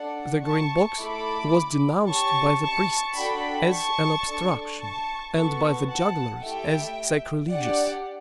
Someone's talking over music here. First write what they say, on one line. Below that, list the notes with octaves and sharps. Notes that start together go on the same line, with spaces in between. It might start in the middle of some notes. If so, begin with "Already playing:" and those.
The Green Box was denounced by the priests as an obstruction, and by the jugglers as sacrilegious.
Already playing: D4 A4 D5 F#5
A5 C#6
A3 E4 A4 B5 D6
C#4 G4 A5 C#6
A5 C#6
D4 F#4 A4 G5 B5
A5 C#6
D4 A4
A5 C#6
B3 F#4 A4 A5 C#6
F#5 A5
A3 E4 G4 E5 G5
D4 G4 D5 F#5